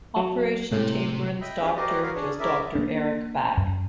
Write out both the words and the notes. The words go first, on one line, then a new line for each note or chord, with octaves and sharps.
Operation Tabarin's doctor was Doctor Eric Back.
F#3
A2 C3
D#5 E5 G5 B5
C4 D4 F4 G4 G#4 B4
F#4 G4 A#4 C5 D5 D#5
F#4 A#4 B4 C#5 F5
D4 G#4 C#5
C#4 E4 G#4 A#4 D5 E5
A#3 D4
F#2